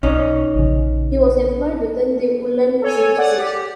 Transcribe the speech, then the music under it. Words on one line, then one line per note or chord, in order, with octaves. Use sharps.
He was employed within the woollen industry.
B1 C#4 D#4
A#1 C#3
A4 C#5 G#5
D5 F#5
G4